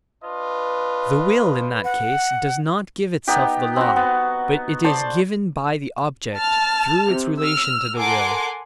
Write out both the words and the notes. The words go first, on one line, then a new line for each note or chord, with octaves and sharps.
The will in that case does not give itself the law, but it is given by the object through its relation to the will.
D4 F4 B4 D#5
F#5
B3 D#4 G4
C4 F#4
B3
C5 D5 A5
A5 F6
C3
E6 F6
A4 A#4 F#5 G#5 C6 D6